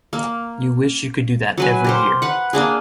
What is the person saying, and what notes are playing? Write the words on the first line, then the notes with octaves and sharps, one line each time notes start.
You wish you could do that every year.
A#3
F#3 B4 G#5
G4 A#4 C5
B4 F#5
A#3 D4 G#4